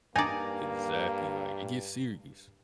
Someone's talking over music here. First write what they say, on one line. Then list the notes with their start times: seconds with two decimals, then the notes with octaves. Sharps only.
Exactly, like, it gets serious.
0.16 G2 A#3 D#4 D5 G#5 A#5